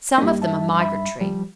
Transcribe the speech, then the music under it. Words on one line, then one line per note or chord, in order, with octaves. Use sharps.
Some of them are migratory.
G2 A#3 D#4 G4
E5 A5
E5 B5
F3 G3